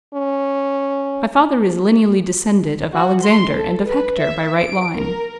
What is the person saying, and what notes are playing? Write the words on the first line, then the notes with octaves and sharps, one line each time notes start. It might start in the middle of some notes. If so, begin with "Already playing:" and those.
My father is lineally descended of Alexander and of Hector by right line.
C#4
F#4
C6
A4
B4
E5
D7
A#4